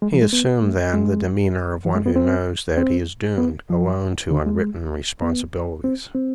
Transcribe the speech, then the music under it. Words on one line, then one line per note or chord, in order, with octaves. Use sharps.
He assumed, then, the demeanor of one who knows that he is doomed alone to unwritten responsibilities.
G#3
F3
G#3
B3
A3
G#3
E3
G#3
B3
C4
C4
B3
F3
D3
G#3
B3
C4
C4